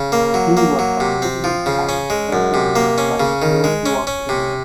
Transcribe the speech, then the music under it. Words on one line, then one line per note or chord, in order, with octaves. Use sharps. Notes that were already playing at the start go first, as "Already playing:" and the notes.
He was succeeded as President by Joshua King.
Already playing: C#3
A#3
F#3
A#3
F#3
C3
C4
F3
C#3
C#4
G#3
F#2
C3
A#3
C#4
C#3
D#3
G#3
C#4
C#4
C3